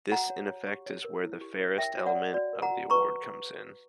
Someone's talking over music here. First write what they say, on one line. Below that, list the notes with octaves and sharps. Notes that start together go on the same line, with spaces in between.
This in effect is where the "fairest" element of the award comes in.
F#4 F#5 A#5
C#5
C#5
G4
C#5
A#4
E4
G4
C#5
A#4 E5 G5
F#4
D5 F#5
C#5
F#4 D5
A#4
F#5 A#5
F#4
B4 A#5 C#6